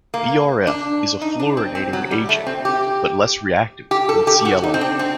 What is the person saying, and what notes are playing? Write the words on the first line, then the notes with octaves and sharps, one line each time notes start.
BrF is a fluorinating agent, but less reactive than ClF.
A#3
D4
D#4
D4
C4
C4
F#3
G3
A3
C4
G4
G4
A4
G4
F#4
D#4
C4
D4
C4